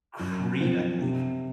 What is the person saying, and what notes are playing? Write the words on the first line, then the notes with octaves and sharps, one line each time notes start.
Creed, I believe.
F#2
F3 C4
C3